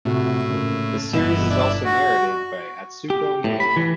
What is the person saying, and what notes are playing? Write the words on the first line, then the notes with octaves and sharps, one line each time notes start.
The series is also narrated by Atsuko Maeda.
A2 C3 F4 F#4
A#2 C#3
G1 B2 E3 D#5 E7
D4 E4
F#4
G4
A2
B5
E3